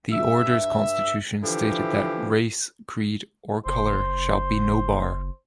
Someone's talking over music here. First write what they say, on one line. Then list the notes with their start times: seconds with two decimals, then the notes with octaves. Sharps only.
The Orders constitution stated that "race, Creed or Color shall be no bar".
0.11 G2 E5
1.43 D3 E3 F3 E4 G4
3.66 F#1 C5